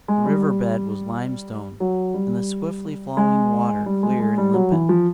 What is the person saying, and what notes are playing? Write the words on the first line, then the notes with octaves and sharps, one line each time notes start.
The river bed was limestone, and the swiftly flowing water, clear and limpid.
G#3
G3
F#3
G3
G#3
G3
G#3
G#3
G3
F#3
E3
F3